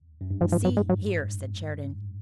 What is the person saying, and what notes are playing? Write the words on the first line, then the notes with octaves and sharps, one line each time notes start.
"See here!" said Sheridan.
F#2
G2
G#2 F3
F3
F#3
G#3
F#3